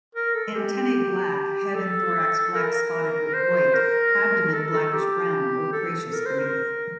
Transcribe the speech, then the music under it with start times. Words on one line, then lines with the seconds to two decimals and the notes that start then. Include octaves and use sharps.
Antennae black; head and thorax black spotted with white; abdomen blackish brown, ochraceous beneath.
0.15 A#4
0.35 A4
0.56 G4
1.75 A4
2.55 A#4
3.34 C5
3.74 A#4
4.53 A4
4.73 A4
4.93 G4
5.73 A4
6.13 A#4
6.26 C5
6.39 A#4